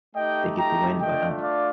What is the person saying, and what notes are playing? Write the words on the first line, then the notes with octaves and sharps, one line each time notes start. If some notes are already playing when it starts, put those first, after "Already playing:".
they get the win. But, um,
A3 D#4 G4 D#5 G5
G5 A#5
A3 D4 F4 D#5 G5
D5 F5